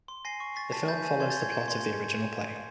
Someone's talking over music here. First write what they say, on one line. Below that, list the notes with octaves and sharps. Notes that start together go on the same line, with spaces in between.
The film follows the plot of the original play.
C6
G#5 A#6 C7
C#6
C#6 A6 B6
A5 A6 B6
G#5 G6 A6
G#5 G6
C6 G#6
G6 A6
C6 G#6
G6
C6